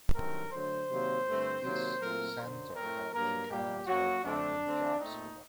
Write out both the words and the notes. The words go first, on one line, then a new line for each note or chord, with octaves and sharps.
This center helped Chicanas by finding jobs for them.
G2 D#3 F#3 A3 C4 A#4
D3 F#3 A3 C5
C3 D#3 F#3 A#3
G2 D3 A3 C4
C3 D#3 F#3 A#3
A#2 F#3 A3 C4 A#4
F#2 D3 F#3 C5
A2 A3 C4 A#4
G2 F#3 A#3 A#4
A#2 G3 A#3 G4
F#2 F#3 A#3 F#4
D3 A3 C4 D4
D3 A3 C4
A#2 A3 C4 D#4